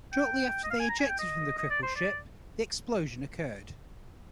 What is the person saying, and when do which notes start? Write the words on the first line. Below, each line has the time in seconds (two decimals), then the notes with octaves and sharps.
Shortly after they ejected from the crippled ship, the explosion occurred.
0.13 G5
0.64 D#5
0.70 F5
0.80 G#5
0.89 A#5
0.99 G#5
1.09 G5
1.19 D#5
1.58 D#5
1.70 D5
1.83 C5
1.96 D5